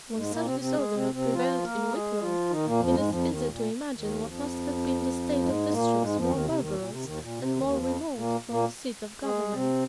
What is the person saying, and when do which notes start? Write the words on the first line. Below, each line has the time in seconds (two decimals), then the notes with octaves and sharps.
When such disorder prevailed in Wicklow, it is easy to imagine what must have been the state of districts more barbarous and more remote from the seat of government.
0.16 G#2 G#3
0.30 A#2 A#3
0.45 C3 C4
0.59 C3 C4
0.74 G#3 G#4
0.94 C3 C4
1.13 C3 C4
1.33 F3 F4
1.62 A#3 A#4
1.91 G#3 G#4
2.21 F3 F4
2.50 D#3 D#4
2.65 A#2 A#3
2.80 F2 F3
2.94 G#2 G#3
3.09 F2 F3
3.28 D#2 D#3
3.48 A#2
3.96 D#2 D#3
4.25 F2 F3
5.42 G#2 G#3
5.72 A#2 A#3
6.01 G#2 G#3
6.16 F2 F3
6.30 D#2 D#3
6.45 C3
6.60 D#2 D#3
6.75 A#2
6.89 C3
7.03 D#2 D#3
7.18 A#2
7.38 C3
7.57 D#2 D#3
7.68 D#3
7.76 F2 F3
8.15 A#2 A#3
8.49 A#2 A#3
9.23 G#3 G#4
9.52 C3 C4